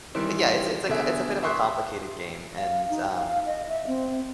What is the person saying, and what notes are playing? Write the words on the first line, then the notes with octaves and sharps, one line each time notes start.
but yeah, it's it's a co it's a bit of a complicated game and, um,
D#3 E3 G3 C4 E4
B2 D3 G#4 E5
E5 C6 C#6 D#6 F#6
F5
D#4
F5
D#5
E5
C4